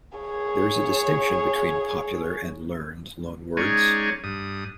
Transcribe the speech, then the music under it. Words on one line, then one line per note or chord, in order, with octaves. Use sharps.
There is a distinction between "popular" and "learned" loanwords.
G#4 C#5
G#3 C#4 D#4 G#4 C#5 D5
G2 D#6